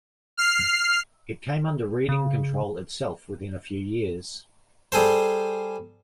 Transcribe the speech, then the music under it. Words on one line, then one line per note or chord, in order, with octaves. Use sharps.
It came under Reading control itself within a few years.
F6 C7
C#3
G3 G#4 A4 C5